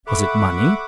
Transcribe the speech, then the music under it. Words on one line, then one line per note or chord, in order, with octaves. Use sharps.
Was it money?
A4 E5 F#5 B5 C#6 D6